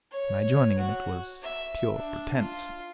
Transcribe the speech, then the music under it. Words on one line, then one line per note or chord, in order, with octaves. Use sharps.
My joining in it was pure pretence.
C#5
F#4
E5
D4
F4